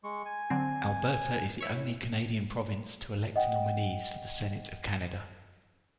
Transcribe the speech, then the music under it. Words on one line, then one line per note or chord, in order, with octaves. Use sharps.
Alberta is the only Canadian province to elect nominees for the Senate of Canada.
G#3 C#6
G#5
D3 F#3 C4
E4 C#5
D#5 F#5 G5